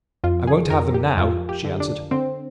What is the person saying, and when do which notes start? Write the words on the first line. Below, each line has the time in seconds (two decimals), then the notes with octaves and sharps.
'I won't have them now,' she answered.
0.24 F2 F4
0.47 G#4
0.70 F2 A#4
0.94 G4
1.17 F2 F4
1.49 G4
1.64 D3
1.80 D4
2.11 D3 C4